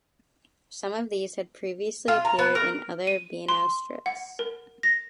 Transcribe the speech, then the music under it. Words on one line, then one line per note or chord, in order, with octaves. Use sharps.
Some of these had previously appeared in other Beano strips.
F4
A#5
B3
A#4
D#7
C6
F#5
A#4
A#6